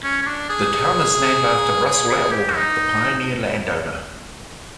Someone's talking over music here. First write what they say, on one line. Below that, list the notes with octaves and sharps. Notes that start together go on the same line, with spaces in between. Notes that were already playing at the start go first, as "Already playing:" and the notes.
The town is named after Russell Attwater, the pioneer land owner.
C#4
C#4
D4
G#4
G#4
G#4
G4
D#4